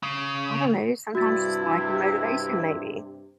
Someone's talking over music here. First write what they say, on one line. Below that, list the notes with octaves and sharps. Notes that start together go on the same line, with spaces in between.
I don't know, sometimes just lack of motivation maybe.
C#3
G2 C3 E4 F#4 A6